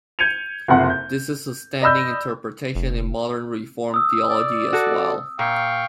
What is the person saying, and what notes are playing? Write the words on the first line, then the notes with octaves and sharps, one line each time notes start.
This is the standing interpretation in modern Reformed theology as well.
G6 G#6 C#7 D#7 F7
F#1 F2 C3 F#5 C6
G6
D5 D#5 B5 E6 G6
F1
D#6 E6
D5
F#4 A4
A#2 F5 G5 C#6